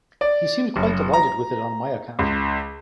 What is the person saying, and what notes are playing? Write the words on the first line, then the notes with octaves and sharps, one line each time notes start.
He seemed quite delighted with it on my account.
D5
F#1
A#5
C#2